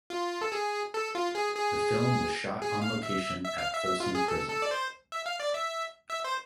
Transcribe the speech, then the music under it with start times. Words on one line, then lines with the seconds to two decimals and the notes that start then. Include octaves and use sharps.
The film was shot on location at Folsom Prison.
0.10 F4
0.41 A4
0.52 G#4
0.94 A4
1.15 F4
1.35 G#4
1.57 G#4
2.62 G#4
2.81 F5
3.03 E5
3.44 E5
3.58 F5
3.73 E5
3.87 E5
4.00 F4
4.15 G#4
4.28 A4
4.50 A4
4.62 D5
4.71 C5
5.12 E5
5.26 F5
5.40 D5
5.54 E5
6.10 E5
6.24 C5